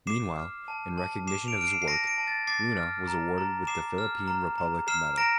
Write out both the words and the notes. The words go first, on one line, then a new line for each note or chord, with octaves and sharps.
Meanwhile, in recognition of his work, Luna was awarded with the Philippine Republic Medal.
D6 C7 E7
F6
A5
A5
D6 C7 E7
D7 F7
F6 D7
C7 E7
C7
A5 A#6 D7
A#6 D7
A5
A6
D6 A6 C7
F6
A#5
A#5
D6 C7 E7
F6
A#5
A#5
F6 C7 E7
A#5 A#6 D7